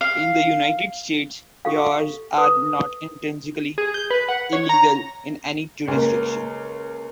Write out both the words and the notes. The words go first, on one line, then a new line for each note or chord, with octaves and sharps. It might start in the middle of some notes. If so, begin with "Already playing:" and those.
In the United States, yawaras are not intrinsically illegal in any jurisdiction.
F5
G4 A4 F5
B4 D#6
G#4
G6
B4
F#5
C#5
A#5
C#2 A#3